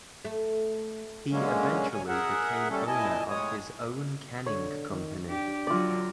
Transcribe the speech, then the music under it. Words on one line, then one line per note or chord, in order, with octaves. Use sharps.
He eventually became owner of his own canning company.
A3
D3 F#3 G#3 A#3 C#4
C3 C#5 G#5
G#4 A#4 E5 F#5
G3 A3 C#4 A4
A#2 E4 D#5 G#5 A5
A2 G#3 C#5 D#6
D3 C#5
D#3
D4 G4
D3 F#3 F4 D5